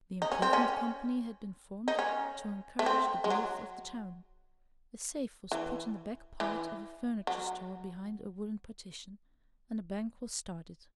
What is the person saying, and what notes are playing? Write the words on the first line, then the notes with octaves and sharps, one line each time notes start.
The improvement company had been formed to encourage the growth of the town. A safe was put in the back part of a furniture store behind a wooden partition and a bank was started.
D#4
C#4
C4
C#4
D#4
C#4
A3
C4
G#3
F#3
E3
E3
F#3